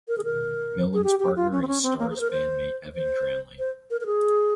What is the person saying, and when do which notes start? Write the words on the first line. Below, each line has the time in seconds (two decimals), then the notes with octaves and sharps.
Millan's partner is Stars bandmate Evan Cranley.
0.08 A#4
0.18 G#4
0.24 A#4
0.93 G#4
1.04 G4
1.20 G4
1.36 F4
1.52 C#4
1.62 C4
1.68 C#4
1.83 C4
1.99 A#3
2.10 G#4
2.16 C5
2.21 A#4
2.31 C5
2.95 C5
3.59 C5
3.90 A#4
4.01 A#4
4.06 G#4